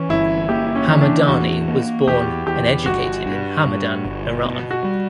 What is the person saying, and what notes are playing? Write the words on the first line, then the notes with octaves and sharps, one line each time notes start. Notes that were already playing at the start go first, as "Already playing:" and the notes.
Hamadani was born and educated in Hamadan, Iran.
Already playing: E3 C#4
G1 E4
A#3 G4
C#4
E3
D4
E2 F#4
A#3
E2 G4
E2 G4
G1 F#4
G2
G2
G1
B2
F#4
G3